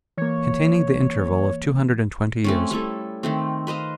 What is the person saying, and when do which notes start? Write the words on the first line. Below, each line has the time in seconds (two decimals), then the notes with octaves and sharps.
Containing The Interval Of Two Hundred And Twenty Years.
0.17 E3 A#3 C#5
2.44 A3 C4 C#4
2.71 G3 C#4 E4 A4
3.23 D#3 A3 C4
3.67 B4 C5 D#5 F5